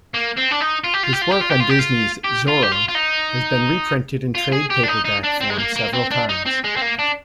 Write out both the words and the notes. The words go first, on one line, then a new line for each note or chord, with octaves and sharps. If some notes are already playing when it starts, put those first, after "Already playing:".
His work on Disney's "Zorro" has been reprinted in trade paperback form several times.
A#3
C4
D4
D#4
F4
G4
F4
G4
F4
G4
F4
G4
F4
G4
F4
G4
F4
G4
F4
F4
D#4
F4
G#4
G4
D4
D#4
D#4
D4
C4
G#3
A#3
A#3
C4
D4
D#4
C4
G#3
C4
A#3
D4